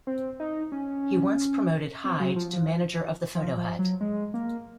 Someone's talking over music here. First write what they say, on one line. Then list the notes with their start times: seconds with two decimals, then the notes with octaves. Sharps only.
He once promoted Hyde to manager of the Foto Hut.
0.07 C4
0.40 D#4
0.72 C#4
2.04 C4
2.20 F#3
2.36 F3
2.53 F3
3.35 F3
3.57 F3
3.79 F#3
4.01 G#3
4.34 A#3